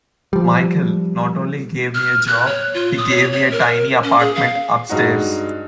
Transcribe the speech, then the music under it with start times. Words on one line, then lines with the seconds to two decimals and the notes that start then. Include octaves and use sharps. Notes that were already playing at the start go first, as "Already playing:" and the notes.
Michael not only gave me a job, he gave me a tiny apartment upstairs.
0.33 F3 G3
1.94 F6
2.27 F#6
2.46 C#5
2.74 F4
2.97 D#6
3.09 C#5
3.33 C#5
3.52 A#4
4.03 C#4
4.19 G#4
4.35 F5
4.89 G2 G#3 D#4 F#4